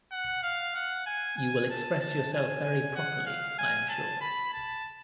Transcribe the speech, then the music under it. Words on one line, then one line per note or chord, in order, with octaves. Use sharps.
You will express yourself very properly, I am sure.
F#5
F5
F#5
G#5
G#5
A5
A5
G#5
G#5
F#5
F5
G#5
A5
B5
A5